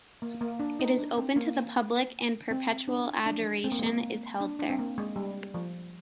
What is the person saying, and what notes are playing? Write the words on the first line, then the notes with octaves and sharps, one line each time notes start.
It is open to the public and perpetual adoration is held there.
A#3
A#3
D4
D#4
D4
C4
A#3
C4
D4
D4
C4
A#3
G#3
A#3
D4
D4
C4
A#3
G#3
G3
F3